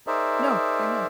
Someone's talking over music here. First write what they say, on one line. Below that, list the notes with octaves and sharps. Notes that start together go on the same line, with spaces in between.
No, they're not.
D#4 G#4 A#4 C5 D5 E5